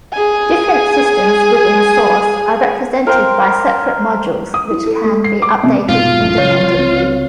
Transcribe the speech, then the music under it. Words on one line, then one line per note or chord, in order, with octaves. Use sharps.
Different systems within Source are represented by separate modules which can be updated independently.
G#4 G#5
A#4 C5 F5 G5
D#6
E4
A4
A3
C7
D6
C3
F1 G#2 B2 F4
A1 F#2 A2
C#3 F#3 C#5
C3
C#2 C4